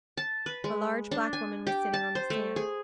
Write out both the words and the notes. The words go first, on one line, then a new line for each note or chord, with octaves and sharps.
A large black woman was sitting on the sand.
A5
B4
G#3
D4
G#5
G4
A5
C5
A3
G#4